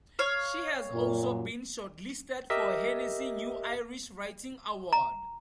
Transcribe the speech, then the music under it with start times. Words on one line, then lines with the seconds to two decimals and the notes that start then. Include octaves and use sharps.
She has also been shortlisted for Hennessy New Irish Writing Award.
0.19 C#5 F5
0.92 F#2 A#2
2.50 G4 A#4 D#5 E5
4.93 A#5